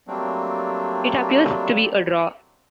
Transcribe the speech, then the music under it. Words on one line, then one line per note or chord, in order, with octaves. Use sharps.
It appears to be a draw.
F#3 G3 A3 A#3 C4 D4